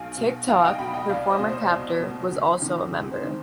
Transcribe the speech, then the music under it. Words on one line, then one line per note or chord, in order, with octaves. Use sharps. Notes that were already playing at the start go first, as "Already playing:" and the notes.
Tick-Tock, her former captor, was also a member.
Already playing: B1 F5 G#5
B2
B1 F5 G#5
F5
D#5 G5
B2 G5 B5
D#5 G5
C2 D5 F5
C5 D#5
B2
C5
C2
B2
D2
C3 D#3
D2
C5
C3 D#3